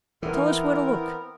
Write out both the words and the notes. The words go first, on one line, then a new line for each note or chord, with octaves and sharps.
'Tell us where to look.'
E3 B3 C4 A#4 E5